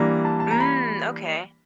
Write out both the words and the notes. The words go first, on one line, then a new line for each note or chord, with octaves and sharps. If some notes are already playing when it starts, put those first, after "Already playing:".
Mm, okay.
Already playing: E3 G3 A#3 D4 A#5
A5
A5
A#5
B5